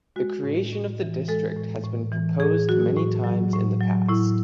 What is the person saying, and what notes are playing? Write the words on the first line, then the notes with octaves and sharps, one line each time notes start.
The creation of the district has been proposed many times in the past.
G#3 F#4
A2
A2
E3
G#3 A4
A2
A2
E3
A2 G#4
F#3 F#4
A2
F#3
A2
F#3
A2 E4